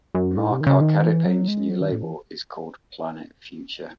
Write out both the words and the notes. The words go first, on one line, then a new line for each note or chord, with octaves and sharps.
Marc Arcadipane's new label is called "Planet Phuture".
F#2
A2
C3
D#3
C#3
D#3
E3
F#3
G#3
F#3
D#3
A2
E3